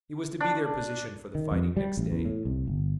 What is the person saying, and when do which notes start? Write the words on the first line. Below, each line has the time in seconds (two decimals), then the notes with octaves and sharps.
It was to be their position for the fighting next day.
0.40 D4
1.35 D#3
1.51 F2
1.77 G3
1.97 A1
2.12 E2
2.25 A2
2.45 C2
2.68 G1